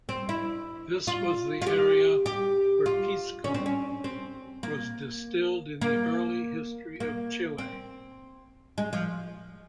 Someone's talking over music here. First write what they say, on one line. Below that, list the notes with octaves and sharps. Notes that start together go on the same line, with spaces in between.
This was the area where pisco was distilled in the early history of Chile.
C4
E4
F4
F4
G4
G4
F4
C#4
C4
C#4
C4
A#3
A#3
A#3
C4
G#3
F3